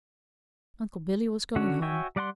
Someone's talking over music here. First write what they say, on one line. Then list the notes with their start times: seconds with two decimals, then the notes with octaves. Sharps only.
Uncle Billy was going home.
1.56 D3 C#4 F#4 C#5
1.82 F#4 C#5 E5 G5 G#5
2.16 G3 D5 F#5 A5 C6